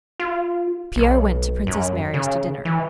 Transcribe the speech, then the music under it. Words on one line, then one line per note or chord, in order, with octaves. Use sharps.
Pierre went to Princess Mary's to dinner.
F4
B1
F#2
C#3
E3